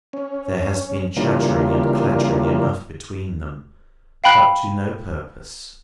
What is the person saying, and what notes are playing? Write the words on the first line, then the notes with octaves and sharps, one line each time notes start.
There has been chattering and clattering enough between them, but to no purpose.
C#4
C#3 E3 G3 A#3 D4 F4
F5 G5 B5 F#6